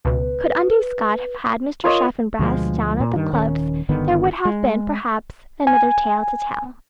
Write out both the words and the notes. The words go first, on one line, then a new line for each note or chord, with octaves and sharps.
Could Undy Scott have had Mr. Chaffanbrass down at the clubs, there would have been, perhaps, another tale to tell.
C#2 B2 B4
F4 A#4 C#5 D#5
D2 B2 F3 G#3
A#2
G2 D#3
D#1 D#3 C#4
G1 D3 D#3 B3
G#3
G#5